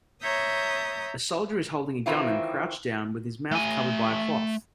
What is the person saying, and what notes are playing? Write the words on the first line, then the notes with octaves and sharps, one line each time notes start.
A soldier is holding a gun and crouched down with is mouth covered by a cloth.
C#5 E5 A#5 D#6 G6
D#3 E3 C4 E4 F4
A3 G#5